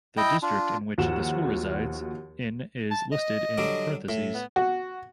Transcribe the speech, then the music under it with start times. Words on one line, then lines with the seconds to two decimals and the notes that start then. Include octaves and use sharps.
The district in which the school resides in is listed in parentheses.
0.17 E4 D#5 G5
0.42 D4 F4
0.98 D#2 F3 F#4 F#5 E7
2.91 A5
3.12 D#5
3.58 D3 F#3 G3
4.09 A2
4.35 B3
4.56 F#4